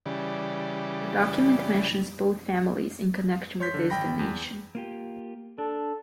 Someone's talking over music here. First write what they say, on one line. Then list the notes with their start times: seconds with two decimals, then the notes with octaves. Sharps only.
The document mentions both families in connection with this donation.
0.06 C#3 E3 G3 D5
3.60 C#5 C6 G6 B6
3.74 D3
3.90 G#1 G5 B5 A#6
4.19 E2
4.75 A#3 F4 G4
5.58 D4 A4